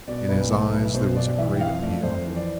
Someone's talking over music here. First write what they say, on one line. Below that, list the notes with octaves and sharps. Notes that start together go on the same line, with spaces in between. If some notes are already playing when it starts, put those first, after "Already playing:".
In his eyes there was a great appeal.
B2 D5
B1 B4
A3 A4
B1 B4
B2 C5
B1 D5
E3 E5
G5
F2 F5
A3 D5
F2 C5
E3
D5